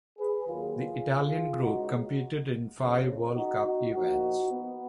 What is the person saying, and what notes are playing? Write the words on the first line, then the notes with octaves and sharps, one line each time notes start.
The Italian group competed in five World Cup events.
G#4 B4
D#2 D#3 F#3 A#3 F4 G#4
F4 G#4
C#2 C#3 G#3 D#4 F#4
F2 C#3 F3
D#4 F#4
D#4 F#4
A#2 F3 A#3 D#4 F#4
B3